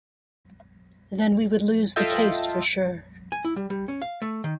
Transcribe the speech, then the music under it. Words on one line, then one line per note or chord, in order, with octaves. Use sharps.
Then we would lose the case for sure.
F4 A4 D#5 E5 G5
G#5
E4
G3
G3
C#4
F5
A3
D#3